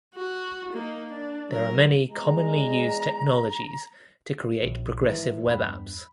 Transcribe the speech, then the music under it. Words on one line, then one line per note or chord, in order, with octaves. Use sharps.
There are many commonly used technologies to create progressive web apps.
F#4
A#3 D#4
D4
F#3 A#4
E2 G#3 A#5
A#1
G#2 D#3 E3
E2 G2 B5